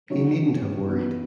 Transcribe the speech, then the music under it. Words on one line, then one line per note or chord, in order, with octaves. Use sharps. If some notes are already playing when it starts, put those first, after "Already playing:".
He needn't have worried.
D#3 F#3 C#4
E3 B3 D#4